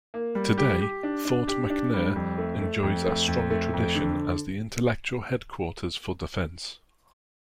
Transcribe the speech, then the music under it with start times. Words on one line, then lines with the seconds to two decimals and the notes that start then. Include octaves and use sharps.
Today, Fort McNair enjoys a strong tradition as the intellectual headquarters for defense.
0.14 A#3
0.35 G3
0.58 G4
0.81 G4
1.03 D4
1.25 D4
1.48 G4
1.70 D4
1.94 G3
2.16 F2
2.38 A3
2.61 A3
2.83 F2
3.06 A3
3.28 F2
3.50 A3
3.73 F2
3.95 D3